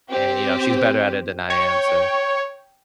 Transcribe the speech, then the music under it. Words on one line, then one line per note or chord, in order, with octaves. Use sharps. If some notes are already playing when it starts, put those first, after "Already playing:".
and, you know, she's better at it than I am, so
C4 G4
C#5 G5